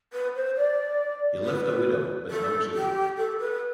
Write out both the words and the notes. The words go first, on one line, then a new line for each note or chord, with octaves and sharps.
He left a widow but no children.
B4
C5
D5
B4
A4
G4
A4
B4